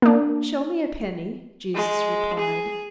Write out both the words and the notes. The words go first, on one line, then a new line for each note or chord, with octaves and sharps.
"Show me a penny," Jesus replied.
A#3 D4
G#3
G#4